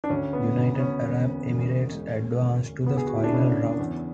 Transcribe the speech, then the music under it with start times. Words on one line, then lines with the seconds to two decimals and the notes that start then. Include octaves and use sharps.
United Arab Emirates advanced to the Final Round.
0.04 D4
0.10 D2 C#4
0.33 B3
0.57 D2
0.75 B3
0.80 C#4
1.03 E1
1.49 E1
1.94 G#3
2.40 D2
2.86 D2 B3
2.97 G#4
3.07 F#4
3.15 E4
3.24 D4
3.33 C#3 C#4
3.79 E2